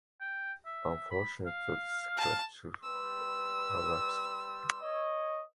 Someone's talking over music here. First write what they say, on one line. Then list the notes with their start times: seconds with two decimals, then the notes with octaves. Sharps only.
Unfortunately the structure collapsed.
0.21 G5
0.66 E5
1.11 B5
1.46 F5
2.17 A5
2.83 G3 B4 C6 E6
4.81 C#5 D#5